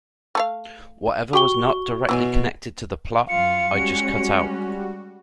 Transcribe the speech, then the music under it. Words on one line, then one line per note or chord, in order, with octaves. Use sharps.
Whatever was not directly connected to the plot, I just cut out.
A3 A4 F5
F#4 G4 G5 C#6 G7
B2 E3 F#3 G#5
F#2 F4 F5 C#7
G3 G#3 C#4 F#4